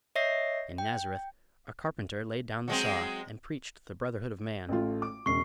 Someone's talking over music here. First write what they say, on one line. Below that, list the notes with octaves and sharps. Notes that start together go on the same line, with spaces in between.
In Nazareth a carpenter laid down the saw and preached the brotherhood of man.
C#5 D#5 E5 A#6 C7
G5
F#3 G#3 C4
A1 A3 F4
D6
E1 C#3 C#6 C7